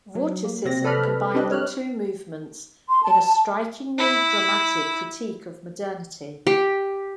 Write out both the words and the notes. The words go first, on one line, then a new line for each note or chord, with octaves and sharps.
Vorticism combined the two movements in a strikingly dramatic critique of modernity.
F#3
A#3
C3 C4 A#6
A4 B4 D5 B5 F6
G3 C4 D4 G4 B4 D#5
C#5 F6 F#6
C6
A5
E4 B5
G4